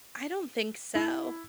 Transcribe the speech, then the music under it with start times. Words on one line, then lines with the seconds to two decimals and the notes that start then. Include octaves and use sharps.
I don't think so. A
0.95 E4